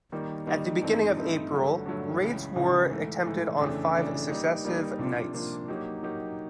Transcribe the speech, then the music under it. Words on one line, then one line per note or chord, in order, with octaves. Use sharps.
At the beginning of April raids were attempted on five successive nights.
D#3 G3 A#3 D#4
D#3 G3 A#3 D#4
G2 E3 A3 C4 D#4
G2 E3 A3 C4 D#4
G2 D3 F#3 A3
G2 D3 F#3 A3
C#2 C#3 E3
C#2 C#3 E3
G#2 E3 A3
G#2 E3 A3
F2 C#3 E3 A3 D4
F2 C#3 E3 A3 D4
G3 A#3 D#4
G3 A#3 D#4
C3 F3 A#3 D4 F4
C3 F3 A#3 D4 F4
F#3 A#3 D#4 G4
F#3 A#3 D#4 G4